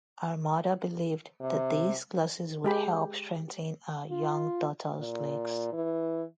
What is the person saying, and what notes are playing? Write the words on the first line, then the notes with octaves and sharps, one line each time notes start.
Her mother believed that these classes would help strengthen her young daughter's legs.
C3
G#3 G4 B5
F4
A#2
E3